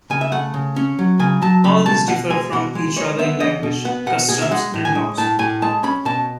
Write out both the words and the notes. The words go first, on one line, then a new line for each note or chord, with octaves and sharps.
All these differ from each other in language, customs and laws.
C#3 G#5
E5
A3 F#5
C#3
C#4
F#3
C#3 G#5
F#3 A5
C#3 B5
B2 A5
B2 F#5
G#3 G#5
B2 F#5
G#3
G#3 C#5
B3 E5
E2 D#5
B2
B3 F#5
B2 F#5
B2 G#4
E5
G#3 F#5
A2
G#5
G#3
A2 A5
A2 G#5
G#3 A5
C#4 B5
B2 A5